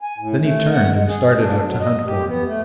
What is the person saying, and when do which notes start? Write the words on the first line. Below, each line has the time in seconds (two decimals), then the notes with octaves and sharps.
Then he turned and started out to hunt for him.
0.01 G#5
0.18 A2
0.41 A3
0.72 F#5
0.93 G#3
1.08 G#4
1.38 D4
1.65 F#3
1.80 D#5
2.06 G4
2.26 B3
2.45 A3